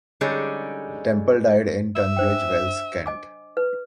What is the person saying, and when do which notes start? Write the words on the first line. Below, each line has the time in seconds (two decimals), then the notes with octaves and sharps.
Temple died in Tunbridge Wells, Kent.
0.21 D3 G3 G#3 C#4 D#4 G#4
1.96 E5
2.17 D4 C5 G5
3.06 D#5 G#5 D6
3.57 B4